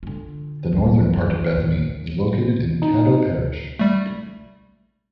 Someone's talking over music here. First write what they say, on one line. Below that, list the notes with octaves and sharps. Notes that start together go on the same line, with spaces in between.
The northern part of Bethany is located in Caddo Parish.
D3 F4
C#2
F#3
F#2
E2 A#2
D#4
G3 A3